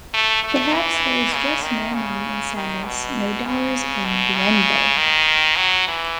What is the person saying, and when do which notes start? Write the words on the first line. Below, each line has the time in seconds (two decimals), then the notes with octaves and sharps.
Perhaps there is just no money in sadness, no dollars in "duende".
0.14 A3
0.43 A3
0.73 E3
1.34 C#3
1.64 D#3
1.94 C#3
2.55 D#3
2.86 B2
3.46 C#3
4.05 B2
4.35 C#3
4.97 D#3
5.56 F#3
5.88 E3